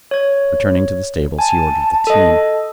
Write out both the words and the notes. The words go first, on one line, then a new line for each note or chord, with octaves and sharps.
Returning to the stables, he ordered the team.
C#5 G#6
G#5 A5
A4 D#5